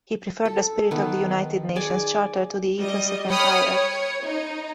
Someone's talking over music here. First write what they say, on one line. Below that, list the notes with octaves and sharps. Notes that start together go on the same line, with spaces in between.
He preferred the spirit of the United Nations Charter to the ethos of empire.
A4
D#3 B3
G#4 D5 G#5
G3 D#5
C#5 G5 B5 D#6 F6
C#5
D#4